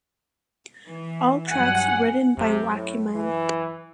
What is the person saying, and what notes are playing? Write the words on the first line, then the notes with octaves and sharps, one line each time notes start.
All tracks written by Wakeman.
E3
G2 F#3 F#5 G#5
F#2 C3
A2
E3